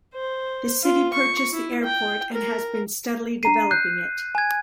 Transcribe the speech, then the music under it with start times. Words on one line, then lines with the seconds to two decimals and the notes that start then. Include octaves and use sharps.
The city purchased the airport and has been steadily developing it.
0.14 C5
0.83 F4
1.13 C#6
1.53 E4
1.84 G5
2.33 A#4
3.43 D4 A#5 C7 D#7
3.71 F#6 G6 C7
4.35 G#5 G#6